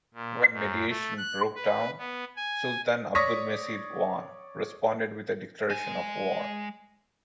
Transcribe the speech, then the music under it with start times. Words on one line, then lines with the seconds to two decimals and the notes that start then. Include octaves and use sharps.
When mediation broke down, Sultan Abdulmecid I responded with a declaration of war.
0.14 A#2
0.53 F#2
0.88 A3
1.17 F#6
1.56 B4
1.98 B3
2.36 G#5
3.15 C#5 D5 C#6 D#6 A#6 B6
5.70 G#3 G#5